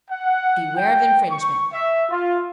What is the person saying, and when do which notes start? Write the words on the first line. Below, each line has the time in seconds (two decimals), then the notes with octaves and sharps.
Beware of infringements!
0.10 F#5
0.77 G5
1.31 C#6
1.73 E5
2.10 F4